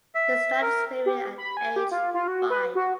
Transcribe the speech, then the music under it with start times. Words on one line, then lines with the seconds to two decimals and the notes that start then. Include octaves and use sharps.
He started swimming at age five.
0.15 E5
0.62 A#4
1.06 G4
1.38 B5
1.57 G#5
1.76 G4
1.91 F4
2.14 F4
2.28 F#4
2.50 B4
2.75 F#4